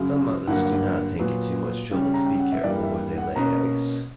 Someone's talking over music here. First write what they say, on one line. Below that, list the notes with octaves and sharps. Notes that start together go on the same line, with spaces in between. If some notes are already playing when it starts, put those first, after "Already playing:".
"Some mothers do not think it too much trouble to be careful where they lay eggs."
Already playing: F#2 C#3 F#3
G2 D3 F#3 A#3 F#5
A#2 F#3 B3
C#3 G3 C#4
A#5
G5
F#5
E5
G2 E3 G3 A#3 D5
E5
F#5
B2 A#3 C#4 A#5